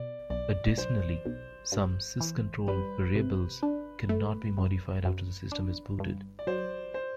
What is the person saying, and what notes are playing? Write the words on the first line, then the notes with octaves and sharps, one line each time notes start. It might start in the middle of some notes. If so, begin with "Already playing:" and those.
Additionally, some sysctl variables cannot be modified after the system is booted.
Already playing: B2 D5
B1 D5
B1 C5
B1
G2
E3
G3 B4
C3
D4
A3
F#2
F#2
D4
G2
D5
F#3 C5
C5